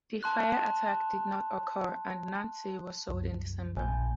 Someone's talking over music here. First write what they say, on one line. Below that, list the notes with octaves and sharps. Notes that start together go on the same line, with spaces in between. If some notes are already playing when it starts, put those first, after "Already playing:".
The fire attack did not occur and "Nancy" was sold in December.
A5 C6 F#6
C2 F#2
A#1 G#5 G6